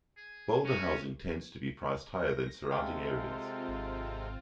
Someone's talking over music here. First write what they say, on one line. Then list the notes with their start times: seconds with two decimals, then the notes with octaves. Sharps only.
Boulder housing tends to be priced higher than surrounding areas.
0.17 G#4
0.65 C#4 F#4
1.97 A#6
2.71 C3 G#3 C4 F4 A4 F5 G5 G#5
3.68 G#1